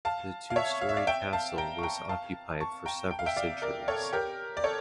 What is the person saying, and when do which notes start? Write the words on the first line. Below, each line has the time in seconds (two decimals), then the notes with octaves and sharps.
The two story castle was occupied for several centuries.
0.05 F5 A5
0.50 F5
0.56 C#5 E5
0.81 F5
0.89 E5
0.96 D5 F5
1.07 E5 G5
1.33 F5 A5
1.58 G5 A#5
1.79 C#6
1.83 G5 A#5
2.09 F5 A5
2.60 A5 C#6
2.86 G5 A#5
3.11 G5
3.19 F5
3.26 E5 G5
3.37 D5 F5
3.62 A#4 D5
3.88 A4 C#5
4.13 G4 A#4
4.57 D5
4.64 A4 C#5